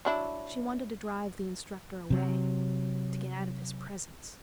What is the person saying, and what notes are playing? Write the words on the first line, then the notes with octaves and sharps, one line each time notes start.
She wanted to drive the instructor away, to get out of his presence.
F#3 D4 E4
C3 F#3